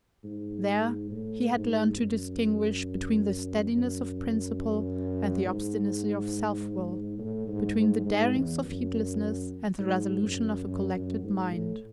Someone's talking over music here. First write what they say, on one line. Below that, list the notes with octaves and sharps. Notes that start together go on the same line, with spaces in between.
There, he had learnt to distinguish between the steadiness of principle and the obstinacy of self-will, between the darings of heedlessness and the resolution of a collected mind.
G#2
A2
G#2
F#2
F#2
G#2
A2
G#2
G#2
G#2
E2
F#2
G#2
F#2
F#2
F#2
G#2
A2